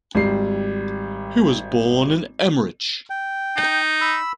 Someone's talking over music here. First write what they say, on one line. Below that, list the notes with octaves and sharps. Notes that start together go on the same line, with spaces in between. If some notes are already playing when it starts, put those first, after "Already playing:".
He was born in Emmerich.
G#1 G3 C7
G5
D#4
B5 E6